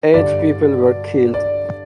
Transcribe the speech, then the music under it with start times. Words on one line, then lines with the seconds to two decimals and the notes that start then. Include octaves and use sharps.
Eight people were killed.
0.14 G2 D3 G3 D5
1.34 D5